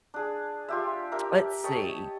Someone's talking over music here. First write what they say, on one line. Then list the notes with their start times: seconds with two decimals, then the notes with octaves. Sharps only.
let's see,
0.14 D4 G#4
0.68 F4 G4 E5
1.11 G4 A#4 E5 D6
1.64 C#5 D#5 G5 A5